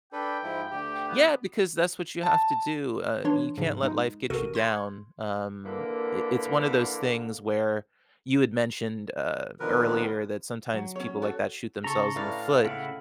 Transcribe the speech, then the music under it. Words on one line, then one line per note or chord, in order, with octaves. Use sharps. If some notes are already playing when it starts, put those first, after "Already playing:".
Yeah, because that's what you have to do, uh, you can't let life get you down, um, it it's one of those things where, you had mentioned, uh, earlier that sometimes people like that shoot themselves in the foot,
D4 A4 B4 G5
G#2 F3 E4
D2 G4
B3
A5
E3 D4 C#5 C6
G#2 C#3 F3
G#3 D#4
A1 C3 F#4 A4 A#4 D#7
C6 G6 G#6 C#7
D3 E3 A#3
B2 D3 D#3 F3 A#4 B4
F#3
C#4 C#5
F#4 A4 C#5
C#3 A4 A#5 C#6
A2 B4 D5 F5 A6
C#3 E4 F#5